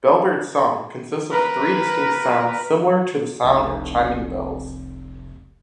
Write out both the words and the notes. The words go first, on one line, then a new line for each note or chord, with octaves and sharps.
Bellbird song consists of three distinct sounds similar to the sound of chiming bells.
A#4 B4
F1 C2